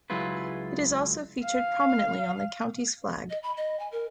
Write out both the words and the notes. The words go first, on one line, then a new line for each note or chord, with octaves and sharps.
It is also featured prominently on the county's flag.
C#2 F#3 G#3 E4 F4 B4
F5
D#5
B5
D#5
G#5
A#4